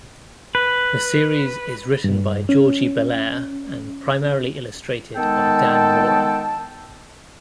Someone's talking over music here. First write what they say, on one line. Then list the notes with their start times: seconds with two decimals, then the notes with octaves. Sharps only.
The series is written by Jordie Bellaire and primarily illustrated by Dan Mora.
0.55 B4
2.04 G2
2.49 C#4
5.16 D#3 G#3 B3 A4 G5 A5